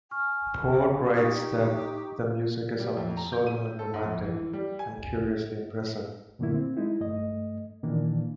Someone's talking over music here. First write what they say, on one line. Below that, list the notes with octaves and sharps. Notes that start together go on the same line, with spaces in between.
Porte writes that the music is often solemn and romantic, and curiously impressive.
G#5 C#6 F6
D#4 G4 A#5 C#6 D#6
G3
F2
A#5
G6
D#7
A4
G#2
F2
E3
G3
G#5
F#2 A#2 D3 A3 A#3 E4
C4
G#3 D#4 E4
G2 A3 D#5
A#2 D#3 E3 A#3 D4